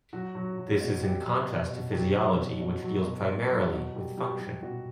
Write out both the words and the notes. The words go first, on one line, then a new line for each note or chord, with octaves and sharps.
This is in contrast to physiology, which deals primarily with function.
F#3 F#4
F#3
F#3
B2
B2 G4
F#3
B2
B2
F#3 G4
F#3
B2
B2
F#3
B2
B2
F#3
B2
G3
G3
G3
B2 F#4